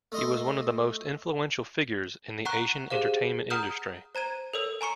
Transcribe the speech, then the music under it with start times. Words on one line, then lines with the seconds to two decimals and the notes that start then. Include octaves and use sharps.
He was one of the most influential figures in the Asian entertainment industry.
0.12 A3 D#5 C6
2.45 F#5 A#5 C#6 F#6
2.90 G4 G#4 C5 F5
3.50 F#5 A#5 D#6 F6 G6
4.15 C5 A#5 G#6 D#7
4.53 A4 A#4 C#5 E6
4.81 G#5 A#5 C#6 C#7